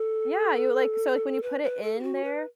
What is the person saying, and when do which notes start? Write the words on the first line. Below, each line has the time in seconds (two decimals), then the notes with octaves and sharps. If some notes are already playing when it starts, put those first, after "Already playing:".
Yeah, you like, so, like, when you put it in there,
Already playing: A4
1.43 B4
1.64 B4
1.83 A4
1.99 G4
2.03 F#4
2.24 B4